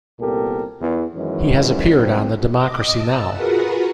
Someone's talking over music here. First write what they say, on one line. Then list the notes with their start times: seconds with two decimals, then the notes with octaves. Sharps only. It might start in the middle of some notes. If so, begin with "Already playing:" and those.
He has appeared on the Democracy Now!
0.19 C2 A#2 B3 G4 A4 A#4
0.81 E2 E3
1.15 F#2 D#3 E3 G#3 C#4
1.96 B1 G2 C3 C4
2.52 D#5 D6 D#6
2.94 D#5 A5 E6
3.30 F4 F#4 G#4 A#4 B4 F#5